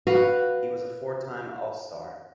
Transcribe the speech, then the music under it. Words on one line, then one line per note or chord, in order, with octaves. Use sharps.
He was a four-time All-Star.
F#4 B4 F5